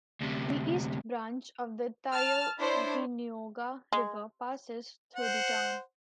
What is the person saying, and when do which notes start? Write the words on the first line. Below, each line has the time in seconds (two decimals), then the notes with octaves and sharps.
The East Branch of the Tioughnioga River passes through the town.
0.21 D2 C3
2.13 A5 F6
2.59 D4 E4 C5 C#5 B5
3.93 G#3
5.15 C5 F#5